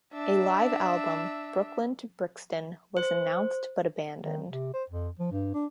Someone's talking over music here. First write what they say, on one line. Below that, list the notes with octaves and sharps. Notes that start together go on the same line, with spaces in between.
A live album, "Brooklyn To Brixton", was announced but abandoned.
D4 E5
C5
D#3
C3
C5
F2
F3
G2
D4